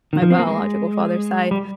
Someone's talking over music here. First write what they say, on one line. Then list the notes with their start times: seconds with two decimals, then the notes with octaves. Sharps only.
my biological father's side.
0.13 D#3
0.22 F3
0.31 C4
0.39 A#3
0.47 G#3
1.51 G3